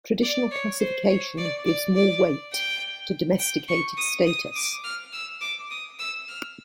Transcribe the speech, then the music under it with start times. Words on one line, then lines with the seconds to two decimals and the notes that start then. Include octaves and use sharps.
Traditional classification gives more weight to domesticated status.
0.23 D5
0.51 C#5
0.80 C5
1.09 C#5
1.38 D5
1.66 D5
1.96 D5
2.53 G5
3.39 G5
3.68 C#6
3.97 D#6
4.26 D#6
4.55 D6
4.84 F6
5.13 E6
5.41 D6
5.70 D#6
5.99 E6
6.28 F6